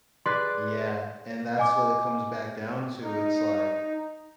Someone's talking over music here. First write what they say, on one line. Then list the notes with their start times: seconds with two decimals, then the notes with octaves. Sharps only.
Yeah, and that's what it comes back down to, it's like
0.26 G#4 B4 D5 C6 F#6
1.58 D#5 G#5 D6
3.02 D#4